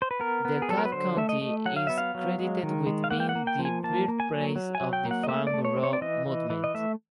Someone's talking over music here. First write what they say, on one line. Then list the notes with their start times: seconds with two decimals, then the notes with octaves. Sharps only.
DeKalb County is credited with being the birthplace of the Farm Bureau movement.
0.02 C5
0.11 B4
0.20 B3 A#4
0.45 B3
0.62 G#4
0.69 F#3 A4
0.78 A#4
0.85 B4
0.92 D3 C5
1.17 A3 E5
1.29 D#5
1.41 A3
1.66 F#3 F#5
1.76 F5
1.87 B3 E5
1.98 F5
2.15 F#3
2.38 G#3
2.63 D#3
2.87 G#3
3.04 F5
3.11 A#3 F#5
3.20 G5
3.29 F#5
3.35 A#3
3.47 G5
3.59 F3
3.65 G#5
3.84 A#3 A5
4.08 A#3
4.20 G#5
4.31 F#3
4.56 F#3
4.75 G#5
4.81 F#3
4.93 G5
5.05 A#3
5.11 F#5
5.23 D#5
5.29 A3 E5
5.47 D5
5.54 A3
5.65 C#5
5.77 C4
5.84 C#5
5.93 D5
6.01 E3 D#5
6.26 E3
6.50 E3
6.64 D#5
6.74 A3 E5